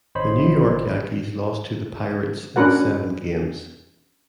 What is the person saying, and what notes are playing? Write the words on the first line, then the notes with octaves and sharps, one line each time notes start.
The New York Yankees lost to the Pirates in seven games.
G#1 C5 C#5 D#5 B5 C6
C#4 D4 F#4 A#4 B4 F#5